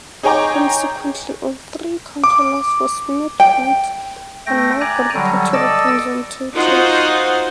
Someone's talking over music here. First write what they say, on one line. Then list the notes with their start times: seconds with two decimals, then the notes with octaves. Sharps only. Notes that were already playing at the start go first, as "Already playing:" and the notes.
Consequently, all three councillors for Smith's Wood are now Green Party representatives.
0.23 D#4 G#4 C#5 G5 A#5 D6
2.24 D6
3.40 G5
4.47 A3 G5 A#6
4.81 D5 G#5 A#5 F#6
5.14 D3 F#3 G3
5.53 A4 D5 D#5 A5 E6 A6
6.54 D#4 F4 F#4 C5 F#5